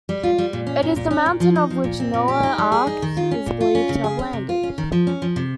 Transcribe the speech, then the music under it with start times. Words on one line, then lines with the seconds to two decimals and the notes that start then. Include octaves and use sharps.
It is the mountain on which Noah's Ark is believed to have landed.
0.09 G3
0.23 F4
0.38 G3
0.53 A#2
0.67 C#4
0.82 A#2
0.96 A#2
1.11 C#4
1.26 A#2
1.40 F3
1.56 D#4
1.70 F3
1.84 A#2
2.00 C4
2.14 A#2
2.28 G4
2.43 D#4
2.58 G3
2.72 G#4
2.87 D#4
3.02 D#3
3.17 F4
3.31 C#4
3.46 A#2
3.60 F4
3.75 C#4
3.89 C#3
4.04 G#4
4.19 C#4
4.33 C3
4.49 F4
4.63 C#4
4.78 D#3
4.92 F3
5.07 C#4
5.22 F3
5.36 C3